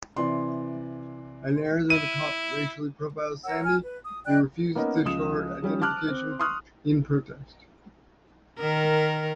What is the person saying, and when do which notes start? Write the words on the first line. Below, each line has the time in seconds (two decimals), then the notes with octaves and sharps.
An Arizona cop racially profiles Sandi, who refuses to show her identification in protest.
0.16 C3 E3 D5 C6
1.90 E4 D#7
3.44 A#4 C#5 F#5 E6
3.64 G#5 F6
3.82 B4
4.05 D#6
4.25 D5 D#5 G5 F#6
4.75 A#3 B3 C#4 D#4 A#4
5.05 C#2 F3 D#6 E7
5.62 F3 G3 C#4 G4
5.81 A5 D6 F6 F#6
6.08 C4
6.39 C6 C#6 D#6 F6 F#6
8.59 D#3 A#4